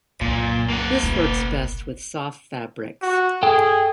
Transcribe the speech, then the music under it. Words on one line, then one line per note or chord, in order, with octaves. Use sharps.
This works best with soft fabrics.
C2 F#2 A#2
A#3 F#5
F#1 B1
F#4
G#4 A4 G5